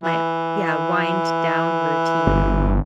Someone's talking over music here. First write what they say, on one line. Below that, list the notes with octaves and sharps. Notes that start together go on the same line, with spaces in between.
my yeah, wind-down routine.
E3
G1